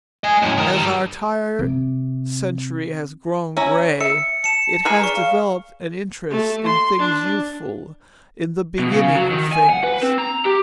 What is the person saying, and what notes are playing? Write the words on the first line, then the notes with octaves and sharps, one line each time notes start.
As our tired century has grown gray it has developed an interest in things youthful,--in the beginnings of things.
D#5 G#5
F#2 A2
D#3 A#4
G2 G3
C3
C#4 E4 A#5
E5 C#7
A5 C#7 E7
G#4 A#4 B4
D5 C#6
F5
A3
C6
D4
B2
C#3
F#3
D#3
G#5
F#5
B4
C4
A#5
G4